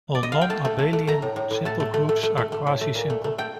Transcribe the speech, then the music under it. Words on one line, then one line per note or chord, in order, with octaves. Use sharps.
All non-abelian simple groups are quasisimple.
D5
D#5
F5
G5
A3 A5
A3
A3
A3
A3 A#5
A2
A2
A2
A3 A5
A3
A3
A3
A3
A3
A3
A2
A3
A#2
A3
A3
A3 G5